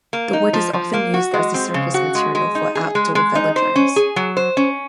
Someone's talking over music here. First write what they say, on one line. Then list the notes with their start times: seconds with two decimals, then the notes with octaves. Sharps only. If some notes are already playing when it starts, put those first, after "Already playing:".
The wood is often used as the surface material for outdoor velodromes.
0.13 A#3
0.33 D#4
0.53 F3
0.73 F3
0.93 A#3
1.14 F#4
1.34 G#3
1.54 C4
1.74 C#3
1.94 F#4
2.15 G#3
2.35 G#3
2.55 D#4
2.75 G#4
2.95 G#3
3.15 G#3
3.35 D#4
3.56 C5
3.76 C#4
3.96 G#4
4.16 F#3
4.37 C5
4.57 C#4